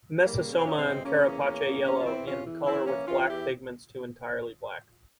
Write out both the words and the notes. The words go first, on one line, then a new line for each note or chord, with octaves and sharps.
Mesosoma and carapace yellow in color with black pigments to entirely black.
E2 G3 A#3
C#3
C#4
C4
E3 A#3 C#4
G#3 C4
E3
C#3 A#3 C#4
E2
E2
E2
E2 A#3 C#4
F4
E3 C4 E4
E2 C#4 F4
E3
E3 C4 E4
E3 A#3 C#4
E3 C#4 F4
E2 E4 G4